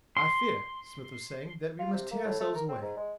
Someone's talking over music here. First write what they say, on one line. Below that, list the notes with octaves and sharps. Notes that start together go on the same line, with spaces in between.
'I fear,' Psmith was saying, 'that we must tear ourselves away.
C6
F4
C3
A#3
A2
A3
A#4
C4
G#2
G#3